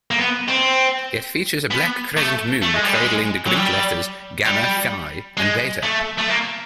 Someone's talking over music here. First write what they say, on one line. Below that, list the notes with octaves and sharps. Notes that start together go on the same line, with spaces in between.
It features a black crescent moon cradling the Greek letters, Gamma, Phi and Beta.
A#3
B3
C4
B3
A3
A3
G#3
G3
G#3
F#3
G3
G3
G#3
A3
A3
A#3